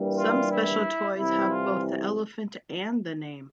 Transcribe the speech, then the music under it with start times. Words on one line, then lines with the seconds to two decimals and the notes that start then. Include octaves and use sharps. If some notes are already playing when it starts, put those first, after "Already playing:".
Some special toys have both the elephant and the name.
Already playing: G2 E3 G3 A#3
0.19 F4
0.51 E4
1.17 C2 C3 E3 E4
1.50 F4